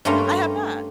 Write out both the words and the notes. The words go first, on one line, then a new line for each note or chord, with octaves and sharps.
I have not.
G2 A3 A#3 C#4 A#5 C6